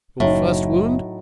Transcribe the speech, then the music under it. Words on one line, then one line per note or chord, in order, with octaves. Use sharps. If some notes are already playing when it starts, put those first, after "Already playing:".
"Your first wound?"
F#1 A2 F#3 D#4 E5